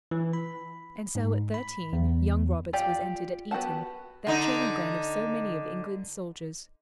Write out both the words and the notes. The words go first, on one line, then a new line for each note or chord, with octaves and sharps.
And so at thirteen, young Roberts was entered at Eton, that training ground of so many of England's soldiers.
E3
B5
G#2
B5
E2
F4 G4 D5 G5
B3 F#4 G4 F#5 A5
D3 D#4